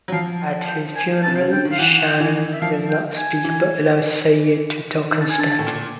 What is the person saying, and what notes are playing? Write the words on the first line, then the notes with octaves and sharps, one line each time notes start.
At his funeral, Shannon does not speak, but allows Sayid to talk instead.
F#3
F3 F5
G5
G#5
A5
C3
C#3
D3 G5
D#3
F5
E3 F#5
F#5
G5
E3
E5
F3 F5
G5
G#5
E3
D#3
A5
G#5
D3 A5
A2
A#2